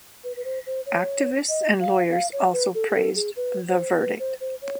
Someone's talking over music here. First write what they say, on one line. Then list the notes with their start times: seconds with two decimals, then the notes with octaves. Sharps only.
Activists and lawyers also praised the verdict.
0.24 B4
0.36 B4
0.45 C5
0.66 C5
0.86 C#5
1.49 D#5
1.80 F5
2.12 F5
2.33 C#5
2.53 B4
2.75 A4
2.90 G#4
2.95 A4
3.16 G#4
3.36 B4
3.68 C5
3.99 B4
4.19 C5
4.41 C5
4.62 C#5